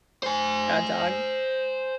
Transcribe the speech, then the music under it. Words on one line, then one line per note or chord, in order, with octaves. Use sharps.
A dog?
C5 G#5